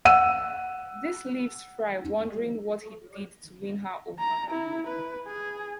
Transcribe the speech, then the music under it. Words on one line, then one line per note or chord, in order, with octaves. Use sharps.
This leaves Fry wondering what he did to win her over.
F#5 E6 D#7
A#5
E4
B4
G#4